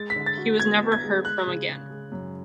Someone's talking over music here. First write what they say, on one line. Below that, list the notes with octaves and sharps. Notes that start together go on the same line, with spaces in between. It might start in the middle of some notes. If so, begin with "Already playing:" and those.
He was never heard from again.
Already playing: G#3 A6
B6
D3
A6
F#4
B3 G#6
B3
G#6
G#3
G#3 F#6
C#3
C#3
G#3
F#2